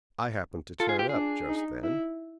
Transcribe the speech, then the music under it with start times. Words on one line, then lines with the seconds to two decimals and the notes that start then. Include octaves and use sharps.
I happened to turn up just then.
0.80 F4 A4
0.89 G#4
0.99 G4
1.09 D4 G#4
1.48 D#4
1.83 E4